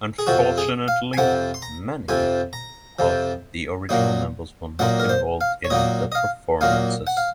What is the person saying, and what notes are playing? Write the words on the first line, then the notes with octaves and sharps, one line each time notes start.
Unfortunately, many of the original members were not involved in the performances.
G#4
F2 C3 F3 F#4
G#4
F5
G#5
F2 C3 F3 F#5
C6
A#5
F2 C3 F3 G#5
A#5
F2 C3 F3
A#2 F#3 A#3 D#4
A#2 F#3 A#3 D#4 F#5
A#4
C5
F5
C#5
A#2 F#3 A#3 D#4 D#5
D#5
F5
A#2 F#3 A#3 D#4 F5
F#5
F5